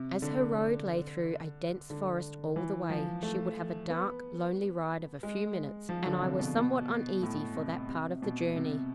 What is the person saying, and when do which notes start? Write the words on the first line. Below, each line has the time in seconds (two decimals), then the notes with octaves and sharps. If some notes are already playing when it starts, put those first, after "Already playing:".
As her road lay through a dense forest all the way, she would have a dark, lonely ride of a few minutes, and I was somewhat uneasy for that part of the journey.
Already playing: C3
0.22 D3
1.90 D3
2.56 E3
2.90 F3
3.23 A3
3.90 B3
5.23 G#3
5.89 F3
6.06 D3
6.22 C3
6.39 B2
6.56 B2
7.22 A2
7.56 C3
7.89 C3
8.22 B2
8.56 C3